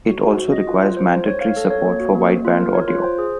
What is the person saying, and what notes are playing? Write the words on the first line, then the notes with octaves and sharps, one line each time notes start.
It also requires mandatory support for wideband audio.
F#4
F#4
F#4
D#5
F4
F4
C5
C5
C#5
F5
A4
C#5
A#3
F#4
A#3
A#3
F4
A#4
C#5
F4
C5
G#4